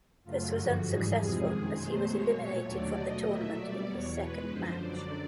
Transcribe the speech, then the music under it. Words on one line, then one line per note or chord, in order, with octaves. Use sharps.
This was unsuccessful as he was eliminated from the tournament in his second match.
F#2 C#3 F#3 A3 F4
G2 D3 F3 F#4
G#2 E3 G3 G#4
F2 C3 F3 G#3
F#2 D#3 G#3
B2 F#3 A3 C5
B2 G#3 C#5
A#2 F#3 A3
D#2 D3 F#3 A3 D5
B2 F#3 A3 D#5
A#2 F#3 A3 E5
B2 G3 D5
E2 B2 F#3 C#5
B2 G#3 B4
F#2 D3 F3 C5
F#2 D3 F#3 D5